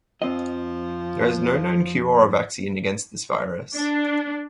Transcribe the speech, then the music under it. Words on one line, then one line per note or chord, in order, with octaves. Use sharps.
There is no known cure or vaccine against this virus.
F2 F3 C4 D#5
D4